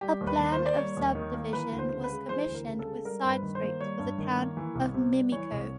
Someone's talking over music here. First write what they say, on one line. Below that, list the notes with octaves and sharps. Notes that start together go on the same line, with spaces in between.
A plan of subdivision was commissioned with side-streets for the 'Town of Mimico'.
G3 G4
D#2
B4
D#3
C5
A#3
D5
G3 C#5
D#2
D#3
A#3
E3 B4
D2
C5
C#3
B4
G#3
E3 C5
D2
A#4
C#3
A4
G#3
G3 A#4
G2 C5
B4
D#3
C5
A#3
G3 C#5
G2
D#3
A#3
E3
C2
C3
G3
E3 C#5
C2